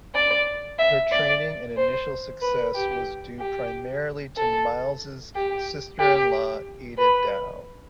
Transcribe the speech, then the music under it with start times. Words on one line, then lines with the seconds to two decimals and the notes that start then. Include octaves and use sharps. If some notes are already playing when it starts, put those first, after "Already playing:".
Her training and initial success was due primarily to Miles's sister-in-law Ada Dow.
0.15 D5
0.79 E5
1.12 D5
1.77 C5
2.42 B4
2.75 G4
3.39 G4
4.37 A4
5.35 G4
5.99 G4
6.98 B4